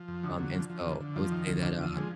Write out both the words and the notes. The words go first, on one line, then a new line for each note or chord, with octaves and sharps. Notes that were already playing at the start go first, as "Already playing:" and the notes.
um, and so I would say that, uh
Already playing: F3
F2
D3 F#3
D3
F3
F3
D3
D3
F2 F3
D#3
D2 F3
D3
D3
D3 G#3